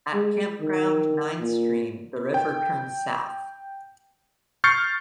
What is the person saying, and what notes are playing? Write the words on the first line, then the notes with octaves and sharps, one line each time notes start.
At "Campground Nine Stream" the river turns south.
G#3
D#3
A#2
G5
C#6 F6 G6 A6 C7 C#7